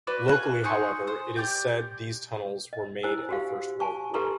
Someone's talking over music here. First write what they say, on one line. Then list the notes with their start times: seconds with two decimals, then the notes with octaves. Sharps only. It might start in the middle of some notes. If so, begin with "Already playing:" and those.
Locally however it is said these tunnels were made in the first world war.
0.07 F#4 B4 D5
0.28 F#4 F5 G#5 F#6
0.64 D#4 G#4 C6 C#6
1.07 C5
1.36 G4 D5 G5 G6
2.73 D#5
3.03 E4 C5 G#5 E6
3.29 F#4 G4 F5
3.80 G#5 A5 C#6
4.14 G4 A4 B4 A#5 C6 C#6